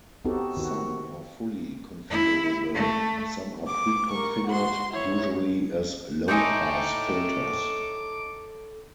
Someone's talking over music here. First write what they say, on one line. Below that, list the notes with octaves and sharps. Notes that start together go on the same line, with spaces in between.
Some are fully configurable; some are pre-configured, usually as low-pass filters.
B3 C4 D#4 F#4 G4 A4
D#3 F#4
E4
A3
D6
A#4 C#6
F#4 C6
E4 C#5
D#4 F#4 A4 C#5 E5 G5 G#5 D6